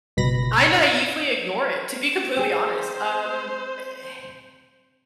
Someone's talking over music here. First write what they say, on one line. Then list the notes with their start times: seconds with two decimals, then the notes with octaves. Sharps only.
I naively ignore it, to be completely honest, um, eh, eh,
0.17 G1 C#2 B2 B5 A#6
2.37 C4 G#4 C5 G5